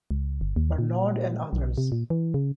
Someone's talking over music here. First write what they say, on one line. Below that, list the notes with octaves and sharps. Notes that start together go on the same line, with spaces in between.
Barnard and others.
C#2
G1
D#2
A#2
B1
C3
A#2
E3
C#3